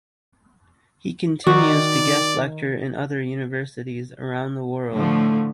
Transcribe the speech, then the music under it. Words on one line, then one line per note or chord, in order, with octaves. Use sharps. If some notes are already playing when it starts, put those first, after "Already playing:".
He continues to guest lecture in other universities around the world.
D#3 F#4 D5
A2 D3 F3 A3